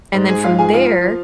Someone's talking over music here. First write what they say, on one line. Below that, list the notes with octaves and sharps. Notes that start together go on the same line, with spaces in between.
and then from there,
G#2
G#4 G#5
G#2 F4 F5
G#4 G#5
F3 F4 F5
F3